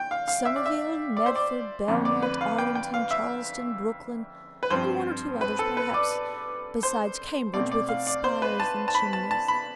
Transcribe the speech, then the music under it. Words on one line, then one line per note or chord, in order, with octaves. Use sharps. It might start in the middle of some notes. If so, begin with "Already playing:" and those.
Somerville, Medford, Belmont, Arlington, Charlestown, Brookline, and one or two others, perhaps, besides Cambridge with its spires and chimneys.
Already playing: G5
F5
F5
E5
D5
E5
D5
C5
D5
F2 D3 A3 C4
D5
B4
F5
G5
G5
F5
E5
B4
G2 F3 C4 C5
B4
A4
B4
D5
C5
B2 A3 C4 D5
D5
F5
D5
C5
B4
A5
A5
B5
A5
A5
B5